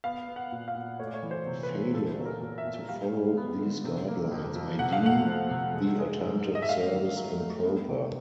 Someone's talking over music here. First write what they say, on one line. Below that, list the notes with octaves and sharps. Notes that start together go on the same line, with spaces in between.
Failure to follow these guidelines may deem the attempted service improper.
B3 F5
B3
F#5
A#2
F5
A#2
A3 C#5
D5
C#5
E3
C5
C3
B4
E3
A#2 A4
F#3
A#4
A#2
E5
A#2
G3 F5
G3
B3
D3
C3
A#3
F2
F2
C3 F#5
F5
A3 F#5
F3
C3
G#3
G#3
G#2
G#2
D#5
E5
A3 F5
D#3
F#3
A3
B3
C3